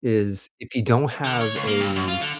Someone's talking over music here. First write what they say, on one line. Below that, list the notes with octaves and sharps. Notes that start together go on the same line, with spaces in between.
is, if you don't have a
D3
C#5
C#2
A#3
G2
F#2
F4
D3